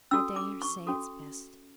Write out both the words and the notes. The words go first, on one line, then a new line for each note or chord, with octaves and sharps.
I dare say it's best.
C#4 F#4 A4 E6
D6
C#6
C#4 F#4 A4